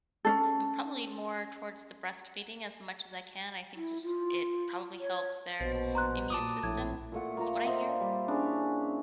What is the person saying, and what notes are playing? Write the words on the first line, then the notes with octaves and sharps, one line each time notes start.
and probably more towards the breastfeeding as much as I can. I think just it probably helps their immune system. It's what I hear.
C#4 D4 A4
E4
F4
C#5
A#1 B2 C5
A#5 C6 F#6
A#2 A5 D6 D#6
A#1 A2 G#6
A#2 A3 F#5
A#3 F4 A#5
C5 D#5 E5 F#5
D5
G3
C#4 D4 E4 G#4